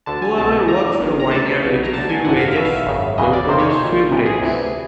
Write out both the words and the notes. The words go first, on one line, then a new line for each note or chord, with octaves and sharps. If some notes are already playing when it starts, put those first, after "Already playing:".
Whoever works the vineyard with few wages, will produce few grapes.
D2 D3 A5
G#5
C2 B2 A5
F2 D3 A#5
G1 G2 D#3
A#5
D2 C3 E3 A5
B1 B2
A#5
D2 D3 A5
G#5
G#1 F#2 D3 F#5
F5
B1 B2 E5
F5
E5
G#1 F#2 C#3
E2 C#3 E3 D#5
D5
F2 C3 D#3 C5
C#5
C5
A#1 A#2
B1 A2 E3
G#4
D2 C3 E3